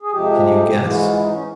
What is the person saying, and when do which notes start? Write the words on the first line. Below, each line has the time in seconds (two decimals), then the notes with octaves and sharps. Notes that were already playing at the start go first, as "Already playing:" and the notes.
Can you guess?
0.02 G#4
0.12 F2 C3 F3 G#3 G4
0.78 G#2 E3 G#3
0.88 F#4
0.98 F4
1.10 E4
1.21 D#4
1.32 C#4